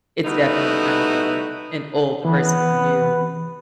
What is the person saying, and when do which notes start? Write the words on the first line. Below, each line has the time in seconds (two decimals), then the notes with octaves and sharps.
it's definitely kind of a an old versus new
0.24 G3 A3 B3 D#4 E4 F#4
2.25 E3 B3 B4